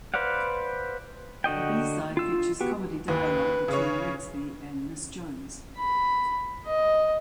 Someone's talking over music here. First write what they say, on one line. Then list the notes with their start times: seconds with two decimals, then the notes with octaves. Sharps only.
The B-side features comedy dialogue between Rigsby and Miss Jones.
0.14 B4 C5 D5 F5 F#5
1.44 D3 F#4 D#5 G5
2.17 F4 E6
2.61 B3 F#4 G4
3.08 D#2 B4
3.68 C#3 C#5
5.77 B5
6.66 D#5